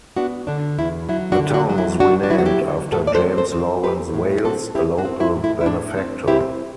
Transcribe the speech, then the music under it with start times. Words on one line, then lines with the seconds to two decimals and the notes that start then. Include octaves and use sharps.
The town was renamed after James Lawrence Wales, a local benefactor.
0.17 B3 D4 F#4
0.47 D3 D4
0.79 E2 E4
1.09 F#3 E4
1.32 D4 F#4
1.39 D3
1.51 G4
1.54 D4 F#4
1.69 F#3
1.78 E4
2.00 F#3 D4 F#4
2.23 D4
2.30 F#3 E4
2.39 F#4
2.45 E4 G4
2.61 D3
2.92 A2 F#4 A4
3.07 D5
3.15 A4 C5
3.22 C4
3.37 A4 C5
3.52 C4
3.83 C4 G4 B4
4.14 A2
4.44 C4 F#4 A4
4.75 C4 E4 G4
4.98 D4 F#4
5.05 C4
5.20 E4
5.36 A2
5.44 E4
5.61 E4
5.66 A2 D4
5.97 C4
6.28 C4 E4 G4